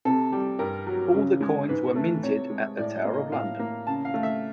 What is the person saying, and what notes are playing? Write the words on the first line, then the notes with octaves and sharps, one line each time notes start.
All the coins were minted at the Tower of London.
C3 A4
G3
G2 A#4
F#3
C#3
G#3
G#2 B4
A3
C3 C#5
G#3
A2 D5
D#5
A#3
D#5
A2 F5
A#3
C#3 A5
F5
A3
E5